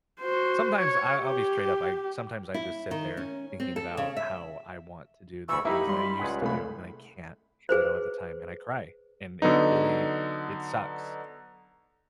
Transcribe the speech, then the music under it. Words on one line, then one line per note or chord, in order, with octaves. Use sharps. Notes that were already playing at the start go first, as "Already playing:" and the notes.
sometimes I I'll be straight up, I sometimes I just sit there thinking about how I want to do the things that I used to do, and I can't 'cause I don't have the time, and I cry, and it really it sucks.
F#4 C5
C#5
G4
E4
D#3
C#4
C4
A4
C#3
E5
D2 E3 B5 C#6 E6
A#3 D#4 E4 G4 B5
G3 C6
C#2 G#4 F#5
C2 A3 B5
G#4 B4 C5
D3 F#3 B3 D#4